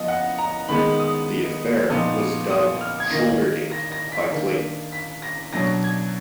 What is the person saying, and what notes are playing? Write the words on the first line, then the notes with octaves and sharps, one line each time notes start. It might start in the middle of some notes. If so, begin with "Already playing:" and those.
The affair was dubbed "Shouldergate" by Clayton.
Already playing: F3 B3 D#5
F#5
A#5
D#3 G#3 B3 D#4 B5
D#6
A#2 F3 B3 D#4
D#6
F6
G#6
D#3 A#3 D#4 A#6
A#6
A#6
B6
D#3 A#3 D4
B6
A#6
B2 F#3 D4 A#6
G#6